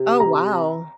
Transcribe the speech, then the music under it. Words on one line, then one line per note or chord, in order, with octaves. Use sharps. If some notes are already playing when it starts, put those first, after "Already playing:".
Oh, wow.
Already playing: C3
A#5